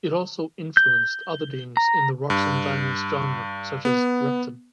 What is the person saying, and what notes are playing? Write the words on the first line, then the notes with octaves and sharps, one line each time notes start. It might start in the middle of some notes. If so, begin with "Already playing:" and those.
It also influenced other games in the rocks-and-diamonds genre such as Repton.
G6
A#5
G2
B3